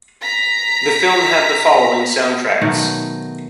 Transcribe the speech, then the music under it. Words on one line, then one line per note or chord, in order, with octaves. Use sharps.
The film had the following sound-tracks.
A#5 B6
B2 D#3 F#3 A3